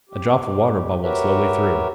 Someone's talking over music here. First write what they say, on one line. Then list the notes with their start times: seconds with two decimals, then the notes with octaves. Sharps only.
A drop of water bubbled slowly through.
0.09 G4
1.02 F#4 G4 A#4 B4 C#5 E5